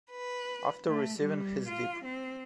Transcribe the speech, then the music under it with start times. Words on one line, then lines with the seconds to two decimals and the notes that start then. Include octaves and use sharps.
After receiving his Dip.
0.12 B4
0.87 A3
1.18 G3
1.68 F4
2.04 C4